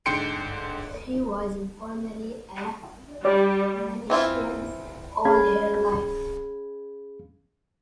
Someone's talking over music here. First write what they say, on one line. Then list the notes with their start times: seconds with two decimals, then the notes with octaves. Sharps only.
She was informally a Manichaean all her life.
0.06 G#2 D3 G5 C6 C#7 D7
3.25 G3 D5
4.10 E3 C4 E4 F4
5.25 C#4 G#4 F5 B5 G#6